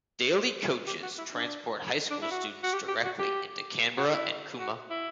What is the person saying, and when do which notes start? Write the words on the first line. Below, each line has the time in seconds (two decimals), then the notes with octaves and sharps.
Daily coaches transport high school students directly into Canberra and Cooma.
0.87 G4
1.02 F#4
1.18 E4
1.34 D4
2.11 D4
2.22 E4
2.31 F#4
2.63 F#4
2.73 G4
2.88 G4
3.04 F#4
3.19 G4
3.97 F#4
4.12 E4
4.59 F#4
4.90 E4